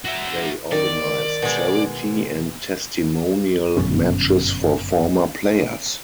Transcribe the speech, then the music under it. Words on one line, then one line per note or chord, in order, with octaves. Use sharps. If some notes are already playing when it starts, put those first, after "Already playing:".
They organise charity and testimonial matches for former players.
F#4 E5
D#3 D5
B2 G#3
G1 F#2 B2 C#4